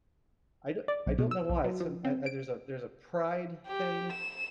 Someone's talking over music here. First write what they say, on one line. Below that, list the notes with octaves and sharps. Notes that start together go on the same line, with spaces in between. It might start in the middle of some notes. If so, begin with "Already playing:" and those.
I d I don't know why, it's some I I there's a there's a pride thing
D5
B1
B2
E6
B1
F#3
F3
C4
D7
G4
E7